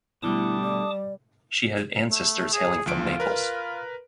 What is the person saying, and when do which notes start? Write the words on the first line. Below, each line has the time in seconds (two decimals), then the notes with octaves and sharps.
She had ancestors hailing from Naples.
0.23 B2 D3 G3 A3 E4 A5 D6 D#6
0.62 D5
2.11 A3
2.53 G#4
2.86 D2 F3 D7
3.01 F4
3.20 A#4 B4